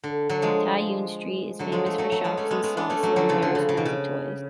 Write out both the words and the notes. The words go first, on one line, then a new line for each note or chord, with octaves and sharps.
Tai Yuen Street is famous for shops and stalls selling various kinds of toys.
D3
D3 F#3
F3 G#3
D3 F#3
F3 G#3
F#3 A3
F#3 A3
F#3 A3
G#3 B3
A3 C#4
G#3 B3
G#3 B3
B3 D4
A3 C#4
F#3 A3
D3 F#3
C#3 F3
D3
C#3
C#3
B2
C#3